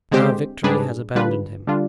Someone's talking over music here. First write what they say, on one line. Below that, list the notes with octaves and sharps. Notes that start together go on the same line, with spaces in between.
Now victory has abandoned him.
D3 G#3 C4 G4 C5
G#2 G3 D4 G#4 B4
D3 G3 D4 F4 B4
D3 G3 D4 F4